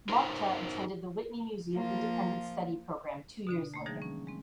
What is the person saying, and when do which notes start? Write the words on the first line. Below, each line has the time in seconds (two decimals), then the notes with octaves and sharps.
Motta attended the Whitney Museum Independent Study Program two years later.
0.09 D#4 A#4 C5 C#5 A#5
1.74 F3 A#3 F4
3.47 B2 D3 D4
3.74 A3 A#3
3.86 D3 E3 F3 G3 D#4 G#4
4.02 C#4
4.27 G#3 C4